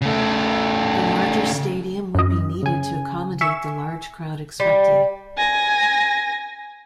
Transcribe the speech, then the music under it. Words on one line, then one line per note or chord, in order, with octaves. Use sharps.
The larger stadium would be needed to accommodate the large crowd expected.
C#3 A3
F#2 D#5
C#3 G#5
E5 G#5 C#6 E7
G3
G#5 A#6